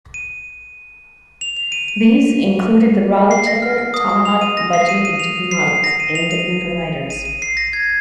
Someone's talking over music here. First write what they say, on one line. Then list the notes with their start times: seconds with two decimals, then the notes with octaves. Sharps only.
These included the Raleigh Chipper, Tomahawk, Budgie and Chippy models, aimed at younger riders.
0.14 D#7
1.41 F7
1.57 F7
1.72 D#7
1.88 D#7
3.31 C7
3.47 A#6
3.62 F6
3.78 F6
3.94 D#6
4.09 D#6
4.25 F7
4.41 D#7
4.57 A#6
4.73 C7
4.89 D#7
5.05 D#7
5.20 F7
5.51 C7
5.68 C7
5.84 A#6
6.00 D#7
6.15 F7
6.31 D#7
7.10 D#7
7.25 D#7
7.42 C7
7.57 A#6
7.73 G#6